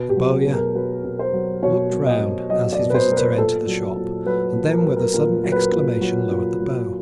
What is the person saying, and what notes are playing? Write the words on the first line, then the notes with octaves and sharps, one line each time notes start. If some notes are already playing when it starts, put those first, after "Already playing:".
The bowyer looked round as his visitor entered the shop, and then, with a sudden exclamation, lowered the bow.
Already playing: B2 B4
G4
F#3
G#4
B2
A#4
F#3 B4
B2
C5
F#3
B2 C#5
F#3
D#5
B2
F#3 D#5
D5
B2
B4
C5
F#3 A#4
B4
A#2 A4
F#3
A#2
F#3 B4
A#2
A#4
F#3 B4
A#4
A#2 A#4
F#3
B4
A#4
A#2
F#3
A#2
F#3